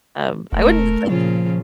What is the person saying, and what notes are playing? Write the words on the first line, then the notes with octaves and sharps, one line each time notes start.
Um, I wouldn't, like,
E1 A3 A#4
A#2 C#3 F3 F4